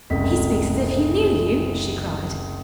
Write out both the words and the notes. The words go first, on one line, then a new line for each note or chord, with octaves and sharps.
"He speaks as if he knew you!" she cried.
F#1 C#2 C3 A3 B6